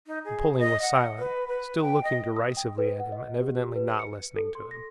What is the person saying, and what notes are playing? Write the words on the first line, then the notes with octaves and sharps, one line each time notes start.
Napoleon was silent, still looking derisively at him and evidently not listening to him.
D#4
G#4
D#5
F#5
B4
B4
G5
D#5
D#6
G5
B4
F#5
D#5
G4
B4
C#7
A4
C6
A#6